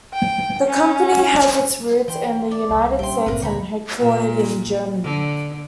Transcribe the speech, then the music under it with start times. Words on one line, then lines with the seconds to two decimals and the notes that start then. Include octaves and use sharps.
The company has its roots in the United States and is headquartered in Germany.
0.13 G5
0.67 C#4
2.08 E3 G5 C6
2.51 D5
2.69 C2 G3
2.99 A#1 G3 C#4 E5 G5 C6
3.26 G1 G2 A#2 D3 C4 A#4 B4
3.42 D2 G2 C#3 B4 C#5 G5 A#5 B5
3.99 A#2
5.04 D3